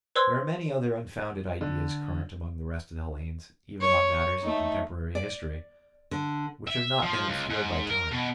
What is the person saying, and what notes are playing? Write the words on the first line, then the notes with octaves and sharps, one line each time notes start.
There are many other unfounded ideas current among the rest of the Hellenes, even on matters of contemporary history, which have not been obscured by time.
B4 C5 D5 C6 E6 G#6
D3
C#5
A3 D#4
D5
D3
E5
F3
C#2
G#2
A#4
B2